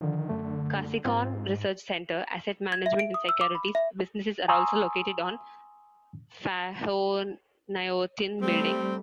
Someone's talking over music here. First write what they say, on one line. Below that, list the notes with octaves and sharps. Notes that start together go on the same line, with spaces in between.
Kasikorn Research Center, Asset Management and Securities businesses are also located on Phahonyothin building.
D3 D#3 F3
F#2 D3 A3
G#2 C4 F4
G#6
E5
D7
D#6
E6
D6
B5
E5
G#5 A#5 C6 C#6 D#6 E6
G3 A3 C4